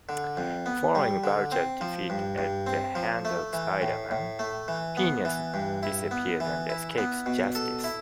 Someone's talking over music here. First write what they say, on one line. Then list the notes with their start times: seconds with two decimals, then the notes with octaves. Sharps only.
Following Vulture's defeat at the hands of Spider-Man, Phineas disappears and escapes justice.
0.09 D3
0.37 F2
0.66 B3
0.95 G3
1.24 D3
1.52 C4
1.81 F3
2.10 G2
2.38 G2
2.67 C4
2.95 F3
3.25 A3
3.53 E3
3.82 A2
4.11 A2
4.39 A3
4.68 E3
4.97 B3
5.25 E3
5.54 G2
5.83 E4
6.11 B3
6.40 E3
6.70 E4
6.98 B3
7.26 B2
7.55 A4
7.84 E4